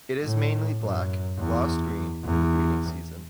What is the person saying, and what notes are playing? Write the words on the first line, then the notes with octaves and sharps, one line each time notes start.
It is mainly black, glossed green, in the breeding season.
A2
F#2
E2
E2